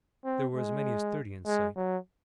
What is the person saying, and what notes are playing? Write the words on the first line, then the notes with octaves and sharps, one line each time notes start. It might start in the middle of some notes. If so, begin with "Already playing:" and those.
There were as many as thirty in sight.
C4
G#3
G#3
F#3